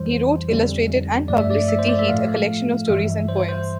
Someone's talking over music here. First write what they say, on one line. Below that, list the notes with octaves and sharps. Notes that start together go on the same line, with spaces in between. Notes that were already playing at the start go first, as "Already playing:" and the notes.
He wrote, illustrated, and published, City Heat, a Collection of Stories and Poems.
Already playing: F2 E3 G3 C5
F2 D3 G3
G2 F3 A3 D5
E5
D5
E5
C5
D5
E5
A2 F3 A3 F5
G2 E3 G3 E5
C5
C5